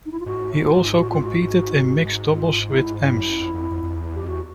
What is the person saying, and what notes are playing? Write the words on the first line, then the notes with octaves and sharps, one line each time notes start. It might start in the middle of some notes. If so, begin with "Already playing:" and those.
He also competed in mixed doubles with Emms.
D#4
E4
F4
G#2 F#4
A2
G#2
A2
G#2
A2 F4
G#2
A2 F#4
F4
G#2 F#4
G#2
F4
E4
G2 E4
F#2
F2
F2
F2
F2
E2
F2 G4
E2 F#4